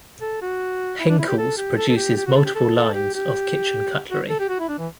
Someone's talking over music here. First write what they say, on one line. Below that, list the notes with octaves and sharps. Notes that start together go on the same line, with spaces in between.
Henckels produces multiple lines of kitchen cutlery.
A4
F#4
E4
D4
E4
G4
A4
G4
A4
A4
G4
G4
F#4
A4
G4
A4
A4
G4
G4
F#4
A4
G4
F#4
E4
D4
E3